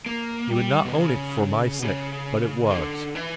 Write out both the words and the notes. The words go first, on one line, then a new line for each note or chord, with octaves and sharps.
You would not own it for my sake, but it was.
A#3
G3
B2
C#3
B2
C#3
D3
E3